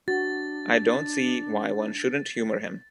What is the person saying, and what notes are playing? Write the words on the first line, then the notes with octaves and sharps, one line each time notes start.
I don't see why one shouldn't humour him.
D4 F#4 A6